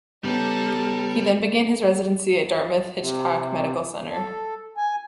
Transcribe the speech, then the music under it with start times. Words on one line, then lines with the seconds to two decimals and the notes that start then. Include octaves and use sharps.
He then began his residency at Dartmouth Hitchcock Medical Center.
0.24 C#3 G3 B3 C#4 D#4 A4
2.98 C3
4.10 A4
4.77 G#5